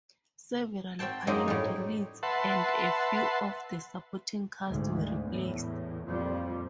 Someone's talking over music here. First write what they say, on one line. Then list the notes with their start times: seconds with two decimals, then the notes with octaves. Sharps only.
Several pilot leads and a few of the supporting cast were replaced.
0.99 C4 F#4 C5 G5 A5
1.27 F#2 F#3 G#3 A#3 C4 D#4
1.48 A2 G3
2.23 B4 E5 F#5 A5 C6
4.66 D2 G#2
5.27 E2 A2
6.07 F2 A#2 F3 G3